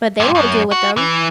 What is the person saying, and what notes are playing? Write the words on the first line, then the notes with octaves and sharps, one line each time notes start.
But they won't deal with them.
G2 A#2
F#2
F#4
E3